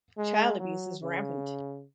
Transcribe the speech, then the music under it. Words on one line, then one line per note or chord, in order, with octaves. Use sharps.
Child abuse is rampant.
G#3
F#3
C#3